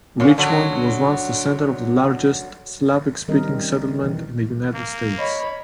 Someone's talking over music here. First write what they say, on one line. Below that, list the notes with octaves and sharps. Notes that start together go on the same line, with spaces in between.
Richmond was once the center of the largest Slavic-speaking settlement in the United States.
F#2 A#2
D3 F#3
D#3 G3 C4 C#4 A#4 D#5
B2 E3
A#3
C#5 D#5 B5